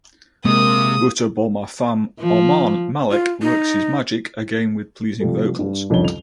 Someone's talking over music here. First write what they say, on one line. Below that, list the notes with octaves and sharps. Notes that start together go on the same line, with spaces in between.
Butta Bomma fame Armaan Malik works his magic again with pleasing vocals.
C3 G#3 A#3 D#6
F3
F4
D#4
C3 F3 G3 A3
G2
C2 F2 D3 D#3 C#4 G7
F7